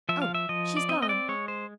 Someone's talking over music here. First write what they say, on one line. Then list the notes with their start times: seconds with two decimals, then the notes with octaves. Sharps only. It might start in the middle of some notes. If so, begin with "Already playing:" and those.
"Oh! she's gone!"
0.09 F3 E5
0.22 F5
0.34 E5
0.49 F3 D#5
0.77 D5
0.89 C4 D#5
1.02 D#5
1.09 D5
1.28 G#3 C#5
1.48 C5